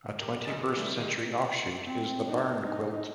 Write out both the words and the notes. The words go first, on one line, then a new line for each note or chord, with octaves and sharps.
A twenty-first-century offshoot is the barn quilt.
G4 A#4
A1 F#2 D#5 G#5 A6 E7
G#4
E3 G3 A3 E5
D#3 G#3
C4
D4 D#4
D#4